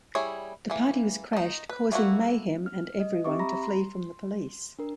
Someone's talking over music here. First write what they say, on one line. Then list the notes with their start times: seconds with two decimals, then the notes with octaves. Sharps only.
The party was crashed, causing mayhem and everyone to flee from the police.
0.15 G3 E4 G#4 C#5
0.70 E3 A#3
1.33 D#3 D#4
1.69 B4
1.92 A3 A#3 E4 F#4
2.66 F6
3.00 D#5
3.24 C4 G4 E5 C#6 D6
3.39 A#5 B5 A#6
3.64 C6
4.79 D4 A#4